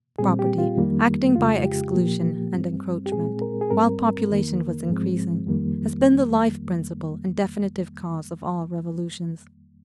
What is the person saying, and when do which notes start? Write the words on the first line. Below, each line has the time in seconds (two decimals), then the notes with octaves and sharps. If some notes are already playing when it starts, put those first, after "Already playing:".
Property, acting by exclusion and encroachment, while population was increasing, has been the life-principle and definitive cause of all revolutions.
0.18 A#2 G3 C4 G#4
0.39 G4
0.58 F4
0.77 F2 D#3 G3 A#3
1.36 F2 C#3 G#3 F4
1.65 G4
1.95 A#2 F3 A#3
2.54 G2 G3 C4
3.06 G4
3.12 A#2 G#3 C4 G#4
3.42 A#4
3.61 G#4
3.71 G#2 G3 C4 A#4
4.30 F2 D#3 A#3
4.88 G#2 F3 G#3 C4
5.47 F2 D#3 G3 A#3